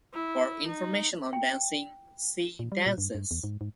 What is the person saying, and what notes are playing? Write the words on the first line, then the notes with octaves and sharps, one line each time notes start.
For information on dancing, see "Dances".
E4
D#4
G5
A#2
G3
A#2
G2
G2
E2
G#2
G#2